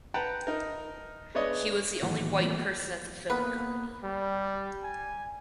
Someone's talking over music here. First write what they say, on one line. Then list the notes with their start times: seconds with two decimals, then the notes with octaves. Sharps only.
He was the only white person at the film company.
0.14 B4 F#5 G5 A5 A#5
0.47 D#4 A#4
1.35 G#3 B3 D4 C#5 D#5
2.03 A2 D#3 E3 F#3 A#3 F#4
2.39 E3 F3 G3 A3 A#3 C4
3.30 A#3 B3 B4
4.04 G3
4.83 G#5